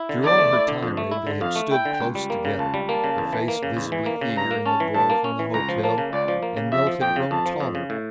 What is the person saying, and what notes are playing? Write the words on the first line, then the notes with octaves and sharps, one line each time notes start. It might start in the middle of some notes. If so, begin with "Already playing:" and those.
Through all her tirade they had stood close together, her face visibly eager in the glow from the hotel; and Milt had grown taller.
Already playing: E4
D3
E2 D5
A3
E4
D3
F2
A3
E4
D3
F2 F5
A3
E4 G5
D3
C#2
G3
A#3
C#3
C#2 A5
G3
A#3 A5
C#3
E2
E3
A#3
C#3
E2
E3
A#3
C#3
G2 A#5
A#3
C#4 A5
E3
G2 A5
A#3
C#4
E3
C#2 A#5
F3
A#3 A5
C#3
C#2 D5
F3
A#3
C#3
F2 E5
F3
F2 G5
C#3
F2 A5
F3
F2
C#3
A2